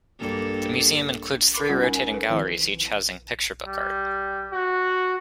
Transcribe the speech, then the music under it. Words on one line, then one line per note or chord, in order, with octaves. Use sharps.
The museum includes three rotating galleries, each housing picture book art.
G2 A#3 A4
A#4 B5 C6 D6
G3 C#4 F4 F#5
D#4 A#4 G#5
G#5
A4 B4
D#3 F3 C4 E4
G3
F#4